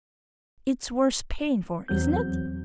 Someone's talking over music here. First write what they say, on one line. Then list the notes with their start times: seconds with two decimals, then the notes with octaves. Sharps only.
It's worth paying for, isn't it?
1.88 E2 F#3 C4 G6